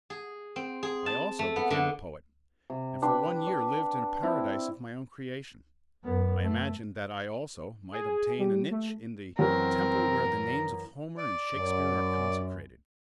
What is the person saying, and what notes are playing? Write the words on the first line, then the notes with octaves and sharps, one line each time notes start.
I also became a poet and for one year lived in a paradise of my own creation; I imagined that I also might obtain a niche in the temple where the names of Homer and Shakespeare are consecrated.
G#4
C4
G#4
A5
A3
B3
D3
C3
D4 B4 G5 C6
D5
C4 E4
F#2 B3
A3
G#4
G3
A3
F#2 E3 C4 F#4 A#4
D5
F#2